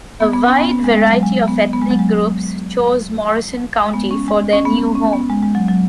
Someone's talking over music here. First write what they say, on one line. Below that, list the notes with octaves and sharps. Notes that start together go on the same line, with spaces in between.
A wide variety of ethnic groups chose Morrison County for their new home.
B3
B3
C#4
B3
B3
G#3
G#3
F#3
G#3
B3
B3
G#3
F#3
G#3
G#3
B3
C#4
G#3
C#4
B3
C#4
C#4
B3
G#3
G#3
F#3
F#3